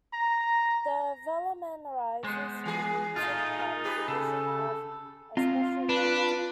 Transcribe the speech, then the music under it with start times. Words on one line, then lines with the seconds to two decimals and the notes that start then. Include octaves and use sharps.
The velamen arises from the root tip by division of a special tissue.
0.14 A#5
2.24 G#3 B3 C5
2.66 E3 G#4
3.16 A2 G#3 A3 D#4 F4
3.84 G4 G#4 B4
4.08 C#3 A4
5.37 C4 F4
5.89 D4 B4